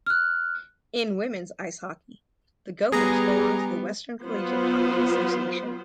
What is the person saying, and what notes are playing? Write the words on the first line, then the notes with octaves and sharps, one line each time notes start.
In women's ice hockey, the Gophers belong to the Western Collegiate Hockey Association.
F6 F#6
G3 B3 G#4 A#5
F#3 B3 F4 B4 C5